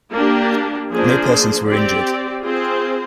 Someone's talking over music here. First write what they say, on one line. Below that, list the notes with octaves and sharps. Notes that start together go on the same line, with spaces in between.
No persons were injured.
A#3 D4 G4
F3 A#3 D4 G#4 C5
C4 G4 D5
C4 F4 G#4 C5